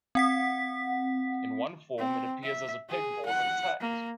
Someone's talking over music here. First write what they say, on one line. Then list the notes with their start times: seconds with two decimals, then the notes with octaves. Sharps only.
In one form, it appears as a pegboard with tags.
0.15 C4 F#5 B6
1.98 C4
2.43 E5
2.89 G#4
3.26 F#5
3.81 A#3